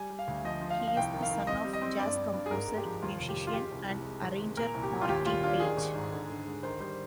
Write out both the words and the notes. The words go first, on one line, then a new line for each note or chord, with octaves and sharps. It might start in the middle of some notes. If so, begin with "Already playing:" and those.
He is the son of jazz composer, musician, and arranger Marty Paich.
Already playing: G3 G#5
G3
F5
D2
F3 D#5
F3
F5
F3
F5
C2 G5
D#3
F5
D#3
C4 D#5
G3
D#5
C4
G2 D5
G2
G2
G#4
G#2 A#4
G#3
G4
F3
D#2 F4
F1
G4
D#3
F4
G#3 G4
C2
C2
G#3
G#1
G#3
A#2 A#4
C2
G4
A#2
F4
D#2 G4
G3 F4
D4 F4
D#3 G#4
G#1
G#2
D3
D3
G#3
D#3 C5
G3 C5